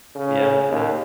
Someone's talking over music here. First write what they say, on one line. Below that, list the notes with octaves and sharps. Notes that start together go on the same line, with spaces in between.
Yeah, yeah.
C#3
D#2